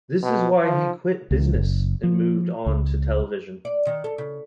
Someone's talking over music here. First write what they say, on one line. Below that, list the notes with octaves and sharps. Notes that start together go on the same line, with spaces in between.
This is why he quit business and moved onto TV.
B2
F3
C#2
F#1
F3
C#2
D5
D#3
A4
C#3